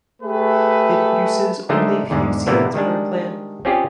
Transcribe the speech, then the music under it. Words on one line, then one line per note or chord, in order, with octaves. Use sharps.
It produces only few seeds per plant.
A3 G4 G#4 B4
D3 G#3 A3 D#4 A#4 C5
E2 G#2 D3 G#3
A2 C3 E3 A#3 B3 D4
D#3 G3 G#3 D4
C4 C#4 F4 G4 G#4 D5